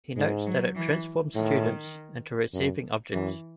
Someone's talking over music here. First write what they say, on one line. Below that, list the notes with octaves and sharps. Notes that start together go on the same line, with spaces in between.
He notes that it transforms students into receiving objects.
G#2 G#3
F#3
E3
A2 D#3
F#2
F#2 E3